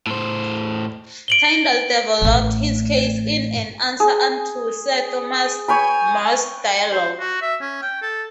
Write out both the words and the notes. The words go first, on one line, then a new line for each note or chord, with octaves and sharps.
Tyndale developed his case in "An Answer unto Sir Thomas More's Dialogue".
A2 C5
D7 F#7 G7
A1 A2
G#4
C#5 G5 G#5 B5
C5
F#4
E5
C#4
G5
A4